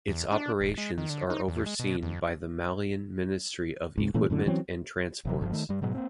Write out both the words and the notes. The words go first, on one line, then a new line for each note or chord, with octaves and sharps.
Its operations are overseen by the Malian Ministry of Equipment and Transports.
E2
D4
D#1
G#3
D#3
D3
D#4
E2
G#3
B2
F2
C#2 G#2
A#2 E3 A3 C#4
F#2 A2 D3
E3 F#3 C4 C#4
E1 C3 F#3
F#1 G2 F3
D#3 A3
G2 G3
G#2 B2 F#3 G#3
A#3 C4